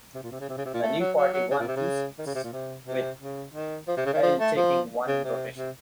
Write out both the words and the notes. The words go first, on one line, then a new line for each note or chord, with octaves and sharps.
The new party won two seats, with Pa'il taking one in rotation.
C3
A#2
C3
C#3
C3
C#3
C3
A#2
A3
F#3
F#3
F#3
C#3
A#2
C3
C#3
D#3
C#3
C3
A#2
C3
C3
C#3
D#3
F3
C3
C#3
D#3
F3
A3
F3
C#3
C3
C3